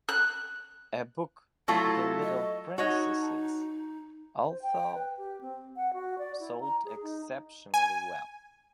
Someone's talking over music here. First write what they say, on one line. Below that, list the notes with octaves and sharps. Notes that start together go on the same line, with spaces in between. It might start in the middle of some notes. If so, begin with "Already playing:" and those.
A book, "The Little Princesses", also sold exceptionally well.
F#6
F#3 A3 E4 F4 A4
D#5
D#4 F#4 C#5 D#5
C5
G5
B4
G4
C4
F#5
F#4
D5
E4
A#5
G#4
D#4
G#5